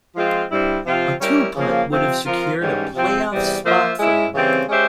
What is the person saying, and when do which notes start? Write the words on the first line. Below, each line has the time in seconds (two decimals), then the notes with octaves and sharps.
A two-putt would have secured a playoff spot for him.
0.16 F3 G#3 C4 F4
0.51 G2 G3 C4 E4
0.86 C3 F3 C4 F4
1.21 G3 C#4 E4 G4 A#4
1.56 C#3 F3 A#3
1.91 C3 F3 C4
2.26 F3 C4 F4 A#4
2.60 G#2 E3 G3 C#4
2.95 C3 F3 C4
3.30 E2 C3 G3
3.64 F3 A#3 F4 C5 E5
3.99 G#3 C#4 E4
4.35 C#3 E3 G3 C4
4.69 G#3 C#4 G4 C5 E5